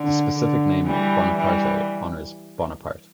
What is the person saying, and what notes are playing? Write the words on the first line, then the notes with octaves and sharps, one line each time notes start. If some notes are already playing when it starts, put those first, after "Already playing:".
The specific name "bonapartei" honours Bonaparte.
Already playing: D3
D3
E3 G3
E3 G3